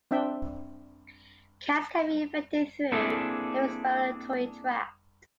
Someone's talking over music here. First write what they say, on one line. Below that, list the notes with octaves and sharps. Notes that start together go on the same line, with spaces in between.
Cats can be infected through the respiratory tract.
C4 D4 E5 G5
A#3 C4 D4 E4 G#4 A4